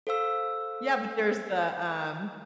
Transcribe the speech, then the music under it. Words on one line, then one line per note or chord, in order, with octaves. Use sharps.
Yeah, but there's the, um
A4 C5 F5 E6